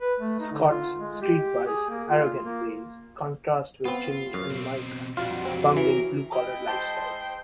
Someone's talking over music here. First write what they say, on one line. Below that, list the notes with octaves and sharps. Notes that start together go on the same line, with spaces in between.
Scott's streetwise, arrogant ways contrast with Jimmy and Mike's bumbling blue-collar lifestyle.
B4
A3
D#4
D3
F4
G#3
G4
G#4
A#3
F4
A#3
B3 C4 F4
F#2 F5
B2 C4
F2 B2 G3 D4 F4 F#5
F#3 C4 F#4 G4
E3 A#4
G#3 E4 D#5 G5
C5 G5 A5